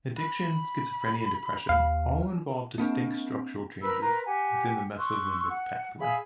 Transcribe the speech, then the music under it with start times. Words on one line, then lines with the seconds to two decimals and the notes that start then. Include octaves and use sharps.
Addiction, schizophrenia, and depression all involve distinct structural changes within the mesolimbic pathway.
0.17 B5
1.69 D#2 F5
2.78 A#3 C4 D4
3.82 A#4 B4 B5 E6
4.02 A#4 B4 A#5 C6
4.26 G4 F#5 G#5
4.99 C6 C#6 E6 F#6
5.50 F#5
6.00 G#4 E5 F5 B5